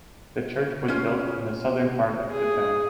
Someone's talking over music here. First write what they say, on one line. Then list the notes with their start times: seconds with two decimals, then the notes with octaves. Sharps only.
The church was built in the southern part of the town.
0.88 C#4 F4
2.31 G#4